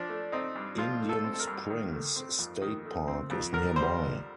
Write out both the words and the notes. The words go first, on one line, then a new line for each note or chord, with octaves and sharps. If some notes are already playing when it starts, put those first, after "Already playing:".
Indian Springs State Park is nearby.
Already playing: F3 D4
A3
C4 D#4
G2
F3 F4
A3
A4
C4
A4
A#4
G2
D#3
A3
C4
F2
D#3
A3
C4
F2
D3 A#4
G3 C5